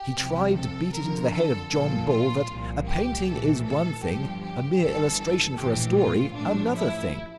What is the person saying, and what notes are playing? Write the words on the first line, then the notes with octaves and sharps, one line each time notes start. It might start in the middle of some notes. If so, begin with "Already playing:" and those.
He tried to beat it into the head of John Bull that a painting is one thing, a mere illustration for a story another thing.
Already playing: G4
C2 C3 F3
A4
F2 D3 F3 A#4
A4
A#1 A#2 F3 A4
F4
C2 A#2 F3
G4
A#1 A2 E3 A4
A4
G1 G2 F3 G4
G4
G1 G2 E3 A4
A4
A#1 A2 E3 G4
F4
A1 A2 F3 D4
E4